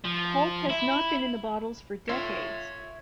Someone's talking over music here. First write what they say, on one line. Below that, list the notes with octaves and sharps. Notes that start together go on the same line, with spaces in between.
Pulp has not been in the bottles for decades.
F3
E4
F4 C#5 E5